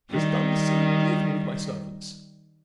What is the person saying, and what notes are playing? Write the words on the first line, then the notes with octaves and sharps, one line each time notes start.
She has done the same even with my servants.
D#3 G3